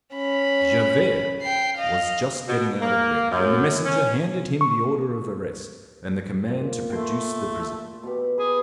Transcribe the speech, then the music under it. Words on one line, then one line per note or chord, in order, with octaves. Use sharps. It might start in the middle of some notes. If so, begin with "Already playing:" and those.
Javert was just getting out of bed when the messenger handed him the order of arrest and the command to produce the prisoner.
C#4 B5
G5 C7
D#5 F5
B2
A#3
F#2
C#4
C#6
A#2
A3 G5 C6
B2 G4
G#4 B4